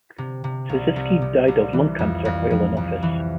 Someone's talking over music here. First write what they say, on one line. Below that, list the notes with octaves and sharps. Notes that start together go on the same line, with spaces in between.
Sisisky died of lung cancer while in office.
C3
C3
C2
C2
C3
C2
E3
F2
F2
F2
F2
E3